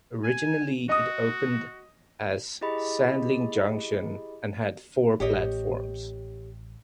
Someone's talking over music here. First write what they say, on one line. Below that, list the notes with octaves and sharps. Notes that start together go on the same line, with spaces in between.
Originally it opened as Sandling Junction and had four platforms.
G#5
F#4 D#5 D#6
E4 G4 G#4 D#5 B5
A1 G4 C#5 D#5